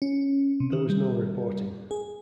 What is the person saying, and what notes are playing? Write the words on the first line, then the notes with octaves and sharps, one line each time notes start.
There was no reporting.
C#4
C3
D#3
G3
G#4